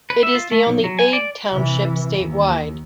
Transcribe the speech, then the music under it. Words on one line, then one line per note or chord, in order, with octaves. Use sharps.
It is the only Aid Township statewide.
B4
E5
F4
A3
B1
F#3
G#5
D5
C3 E3
D#2